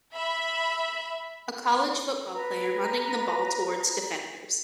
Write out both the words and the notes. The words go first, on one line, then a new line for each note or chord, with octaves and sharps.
A college football player running the ball towards defenders.
E5 B5
B4 A#5